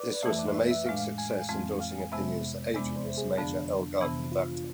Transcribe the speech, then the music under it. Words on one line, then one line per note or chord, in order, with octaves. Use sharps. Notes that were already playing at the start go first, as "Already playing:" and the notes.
This was an amazing success, endorsing opinions that Adrian is a major Elgar Conductor.
Already playing: B4 D5
F2 E3 A3 E5
D5
E5
E5
A2 G#3 D4 F5
G#5
F2 E3 G#3 C4 F5
F5
F2 C3 G#3 B3 E5
E2 C3 G#3 B3 D4 D5
C5
G#4
F2 D3 F3 B3 D4
F2 C3 E3 B3
F4